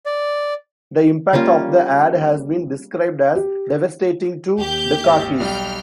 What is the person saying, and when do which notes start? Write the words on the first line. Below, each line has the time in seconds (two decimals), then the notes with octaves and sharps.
The impact of the ad has been described as devastating to Dukakis.
0.06 D5
1.33 G3 A#3 C#4 F4
3.35 G4
4.58 D#2 G4 G6
5.05 G#1 E5
5.40 B1 G3 G5 F6